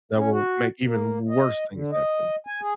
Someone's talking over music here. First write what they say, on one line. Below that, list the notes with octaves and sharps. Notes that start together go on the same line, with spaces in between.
that will make even worse things happen
C#4
F#4
A#3
D#5
D3
D#5
G#5
G#4